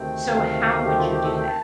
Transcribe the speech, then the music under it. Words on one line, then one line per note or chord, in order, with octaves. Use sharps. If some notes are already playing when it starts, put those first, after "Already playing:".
so how would you do that?
Already playing: D2 C3 D#3 A3 C4 G5
F5
G4
F4
G4
A4
G5
A5